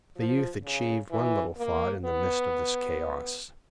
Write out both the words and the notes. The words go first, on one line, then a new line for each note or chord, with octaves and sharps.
The youth achieved one little thought in the midst of this chaos.
F3
C#3
E3
A#3
B3